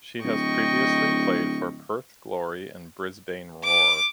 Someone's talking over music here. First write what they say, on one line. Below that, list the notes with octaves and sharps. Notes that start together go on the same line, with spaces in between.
She has previously played for Perth Glory and Brisbane Roar.
D1 D#5 G5 C#6
D6